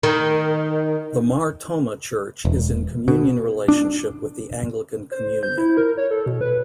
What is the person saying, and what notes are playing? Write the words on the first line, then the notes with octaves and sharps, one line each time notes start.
The Mar Thoma Church is in communion relationship with the Anglican Communion.
D#3
E1
B2
D4
C5
G6
E4
A#4
C#5
A4
B2
B4